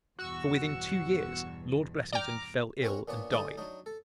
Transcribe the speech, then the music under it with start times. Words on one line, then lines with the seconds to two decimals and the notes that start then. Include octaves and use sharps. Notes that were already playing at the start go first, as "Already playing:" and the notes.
For within two years Lord Blessington fell ill and died.
0.19 E2 G2 B2 F#4 C#6 E6
2.13 D5 G5 A#5 D6 F6
2.82 C4 C#4 F#4 A#4 C#5 A#5
3.08 A#2 B3 D4 C#5 D6
3.31 D3 D#4 D5 G#5 D#6
3.57 F#3 D4 D#4
3.86 A4